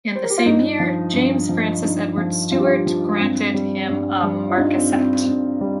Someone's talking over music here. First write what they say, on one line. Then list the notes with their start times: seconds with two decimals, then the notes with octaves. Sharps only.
In the same year, James Francis Edward Stuart granted him a marquessate.
0.15 C5
0.24 A#4
0.30 G4
0.38 F4
0.46 G2 D#4
0.80 F3
1.14 G2
1.49 F3
1.83 G2 D#4
2.18 F3
2.52 G2 F4
2.59 G4
2.66 F4
2.87 F3
3.20 G2 C4
3.54 G3
3.89 G2
4.23 G3
4.50 F4
4.57 G2 D#4
4.75 C4
4.92 G3 C4
5.26 G2
5.61 G3